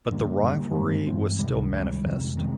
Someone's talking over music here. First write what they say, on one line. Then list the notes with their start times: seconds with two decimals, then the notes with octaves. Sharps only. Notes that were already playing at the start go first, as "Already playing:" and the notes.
But the rivalry was still manifest.
0.11 F#2 D3 G3 A#3
0.43 F#2 D3 G3 A#3
0.75 G2 E3 G#3 C4
1.07 G2 E3 G#3 C4
1.39 C#2 C3 D#3 G3
1.71 C#2 C3 D#3 G3
2.05 F2 C3 D#3 G#3
2.37 C3 D#3 G#3